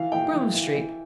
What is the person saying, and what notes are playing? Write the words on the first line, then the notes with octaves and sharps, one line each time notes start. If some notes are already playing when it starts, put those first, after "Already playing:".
Groome Street.
Already playing: E3 F5
E3 G5
E3
E3
E3